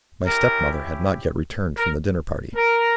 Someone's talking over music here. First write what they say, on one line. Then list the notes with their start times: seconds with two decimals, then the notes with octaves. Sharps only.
My stepmother had not yet returned from the dinner-party.
0.25 C#4 E4 G4 A#4
1.78 A#4
2.56 A#4